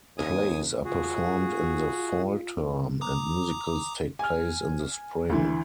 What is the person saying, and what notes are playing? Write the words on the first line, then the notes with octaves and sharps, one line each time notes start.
Plays are performed in the fall term, and musicals take place in the spring.
D#2 G#5 D#6
F4 F#4 G#4
A#5 D6 D#6
G#5 F6
D2 E3